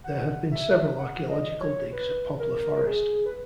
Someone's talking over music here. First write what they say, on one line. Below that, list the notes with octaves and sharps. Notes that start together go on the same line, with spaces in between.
There have been several archaeological digs at Poplar Forest.
F#5
E5
F#5
D#5
C#5
B4
A#4
A#4
G#4
B4